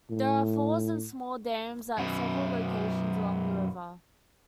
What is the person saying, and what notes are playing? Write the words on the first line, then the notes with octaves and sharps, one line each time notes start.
There are falls and small dams at several locations along the river.
A2
F#2 B2